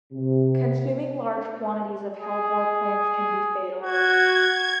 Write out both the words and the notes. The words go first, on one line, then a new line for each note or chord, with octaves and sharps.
Consuming large quantities of hellebore plants can be fatal.
C3
G#4
F#4 G#6